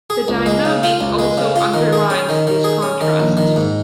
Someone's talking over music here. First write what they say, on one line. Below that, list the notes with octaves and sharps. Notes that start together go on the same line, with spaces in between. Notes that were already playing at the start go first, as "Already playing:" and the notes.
The dynamic also underlines this contrast.
G#4
C#2
G#3
C#3
F4
C#2
G#3
C#3
F4
D#3
G#4
C#4
D#3
D#3
G#4
C#4
D#3
A#1
D#3
G#2